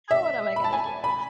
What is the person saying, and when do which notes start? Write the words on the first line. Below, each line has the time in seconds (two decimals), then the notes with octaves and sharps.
“Now, what am I gonna do?"
0.11 E5
0.56 B5
0.64 A5
0.73 G#5
1.04 B5